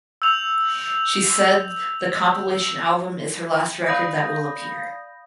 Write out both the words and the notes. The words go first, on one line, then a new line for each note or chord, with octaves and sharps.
She said the compilation album is her last record that will appear.
E6 G6 F7
D5 F5 B5 D#6 G6 A#6